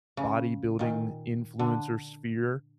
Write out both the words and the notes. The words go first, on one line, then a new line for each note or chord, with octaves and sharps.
bodybuilding influencer sphere
C#3
A#2 D#3
D3